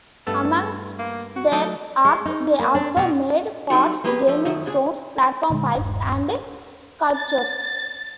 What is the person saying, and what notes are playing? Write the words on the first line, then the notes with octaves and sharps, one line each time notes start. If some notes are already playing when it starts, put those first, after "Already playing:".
Amongst their art they also made pots, gaming stones, platform pipes, and sculptures.
G2 A3 B3 A4
A#3
F#4
F#3 A3 D#4 D#5
G#3
D#4
A#3
D4
B2
F#3 G3 A3 D4 D#4 F#4
F3 G#3 A#3 G4 A4 B4
F3 A3
F#2 D#3 A3 D#4 E5
D2 D4 G#4
A#2 D3 D#3 G#3
D#1 G2
A6